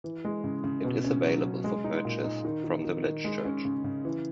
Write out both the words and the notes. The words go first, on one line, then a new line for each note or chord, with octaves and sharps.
It is available for purchase from the village church.
E3
G#3
C#3
C#3
B2
C#4
F#3
C#4
G#3
D#4
A#2
D#4
D#3
D#3
D#3
D#3
G#3
C#4
C#3
C#3
E3